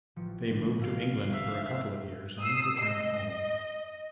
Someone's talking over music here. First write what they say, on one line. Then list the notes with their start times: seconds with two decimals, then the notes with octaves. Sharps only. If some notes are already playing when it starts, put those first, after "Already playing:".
They moved to England for a couple of years and returned home.
0.16 A1 F3 C#7
0.50 D3
0.81 F5
1.31 C#4 E5 F5
2.40 D#6 E6 C7
2.83 D#5